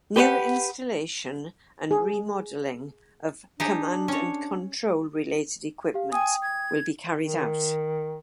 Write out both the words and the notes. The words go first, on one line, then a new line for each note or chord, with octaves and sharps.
New installation and remodeling of command and control related equipment will be carried out.
G4 B4 C5 F#5
G#4
D4 D#4 G4 G#4
C#4 C#5
G4 F5
G5 G#5 D#6
G#6
D#3